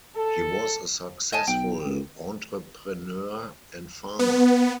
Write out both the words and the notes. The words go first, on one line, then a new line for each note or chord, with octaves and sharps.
He was a successful entrepreneur and farmer.
A4
D#5 G#5 A5
B1 G5
C#2
B3